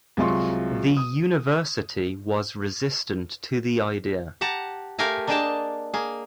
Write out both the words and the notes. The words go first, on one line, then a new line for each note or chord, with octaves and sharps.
The university was resistant to the idea.
C2 F#3 G#3 F4 C6 C#6
D#6
G4 F#5 A5 A#5
A3 G4 A#4 F5 G#5 A#5
A#3 D4 G#4 D#5 G5 A5
A#3 G#4